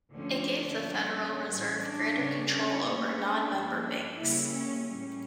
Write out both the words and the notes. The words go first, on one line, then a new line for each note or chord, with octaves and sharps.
It gave the Federal Reserve greater control over non-member banks.
D2 D3 F3 C#4
D4
A#2 G3 C#4
C#4
A2 E3 G3 C#4
D4
C#3 G3 C#4
C#4
A#2 A3 C#4
D4
G2 F3 A#3 C#4
D4
C#3 G3 A#3 E4
C#4
A2 G3 C#4